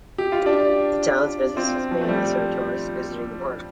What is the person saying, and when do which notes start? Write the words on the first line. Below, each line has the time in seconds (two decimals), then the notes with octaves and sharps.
The town's businesses mainly serve tourists visiting the park.
0.18 G4
0.32 F4
0.46 D4 G4
1.56 C4 F4
1.91 F3
2.01 A3
2.08 G3